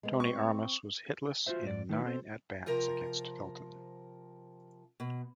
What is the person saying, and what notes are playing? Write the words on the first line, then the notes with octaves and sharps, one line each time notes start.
Tony Armas was hitless in nine at bats against Felton.
G#3 B3
C4 C#6
F4 F#4 C5 E5
G#2 D5
D#3 A3 D#4 E4 B4
C4 A4 C5
C3 F3 A#4 A#5
B2